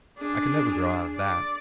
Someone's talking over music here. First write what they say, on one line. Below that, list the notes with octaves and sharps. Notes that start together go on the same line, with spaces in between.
I can never grow out of that.
D4 G#4
D5